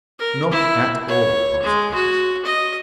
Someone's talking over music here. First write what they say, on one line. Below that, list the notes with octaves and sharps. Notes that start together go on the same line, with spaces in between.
'Not at all!' answered Hans.
A#4
E4
C#5
G#3
F#4
D#5